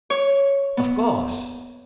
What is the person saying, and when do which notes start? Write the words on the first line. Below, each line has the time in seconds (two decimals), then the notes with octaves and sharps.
"Of course."
0.10 C#5
0.77 B3